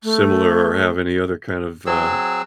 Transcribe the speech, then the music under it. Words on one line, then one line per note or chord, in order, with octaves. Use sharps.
similar, or have any other kind of, uh,
A3
F#3 C4 G#4 E6